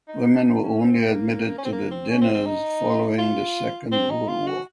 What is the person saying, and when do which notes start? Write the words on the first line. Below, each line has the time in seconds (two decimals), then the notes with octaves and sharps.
Women were only admitted to the dinners following the Second World War.
0.08 D#4
0.63 C#4
0.81 C4
1.00 A#3
1.58 C#4
1.65 C4
1.72 A#3
1.91 C4
2.09 C#4
2.21 C4
2.34 C4
2.46 D#4
3.18 F4
3.92 C4
4.10 D#4
4.29 F4
4.47 F#4